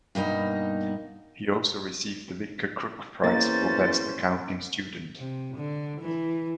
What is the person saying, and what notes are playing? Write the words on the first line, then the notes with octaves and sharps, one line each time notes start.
He also received the Victor Crooke Prize for Best Accounting Student.
G2 B2 A#3 D#4
E2 A#3 C#4 C5 A6
C3
D3
E3